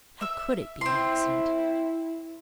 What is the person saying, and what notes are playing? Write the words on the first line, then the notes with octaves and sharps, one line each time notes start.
How could it be an accident?
E5 E6
C4 E4 C6